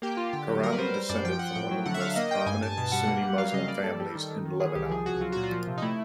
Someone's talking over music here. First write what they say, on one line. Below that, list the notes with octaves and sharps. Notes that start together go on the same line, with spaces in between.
Karami descended from one of the most prominent Sunni Muslim families in Lebanon.
A#3 G4
A#3 F4
D3 G4
F#3
G3 A#4
B4
G3 C5
G3 C5
F#2 D5
F3 G5
F3 F#5
A2 G5
F#3
D3 F#5
E5
D3 F5
A#3 D#5
A#3 G5
G2 G#5
G2 A5
B2 A5
G3 F#5
A#3
G3
F#3 F5
C#3 D#5
A#3 D5
G2 A4
G3
D#3
D#3
D#3
E3 G#4
C2 G4
F3 G#4
C#2 F#4
F#3 F4
A#2 F#4
F4
F3
C3
D#4
A3 E4